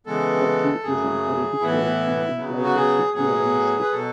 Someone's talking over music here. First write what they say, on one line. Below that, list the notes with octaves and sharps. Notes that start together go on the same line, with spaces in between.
Fakir is an Arabic word, and implies a Sufi or a mystic.
C#3 E3 G#3 B3 A4
F#2 C#3 F#3 A3 G#4
A2 E3 B3 E4
C#3 F#3 B3
F#4
G#4
A2 F#3 B3 G#4
B4
B2 F#3 A4